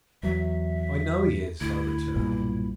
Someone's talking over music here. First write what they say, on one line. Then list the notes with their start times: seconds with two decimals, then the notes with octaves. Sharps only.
"I know he is," I returned.
0.23 E2 F#3 E5
1.61 D2 E4
2.16 B1 G2 A#2